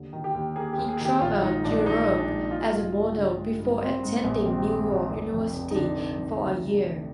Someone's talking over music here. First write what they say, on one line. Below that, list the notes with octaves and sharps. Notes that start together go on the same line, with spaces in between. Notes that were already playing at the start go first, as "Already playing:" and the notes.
He traveled Europe as a model before attending New York University for a year.
Already playing: D#2 D3
D#3
G4
D#2
A#3 G#4
G4
D#2
G#4
D#3
G4
A#1 F4
G#2 D#4
A#1 D4
D4
F3 D#4
A#1
D4
G#2
G#3 F4
G2
G1
D3
G#3
G2
G3 C4
G#2
A#3
A#1
D#3 C4
G3
G#2
F1
F2
F1
D#4
D3 D4
F1
F2
D2
C3
D2